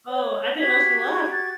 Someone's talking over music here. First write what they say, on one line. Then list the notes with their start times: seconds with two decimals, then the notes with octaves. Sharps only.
Oh, I didn't know she left.
0.09 C#5
0.59 F#4 G4 G#6 B6
1.06 G#4
1.31 A6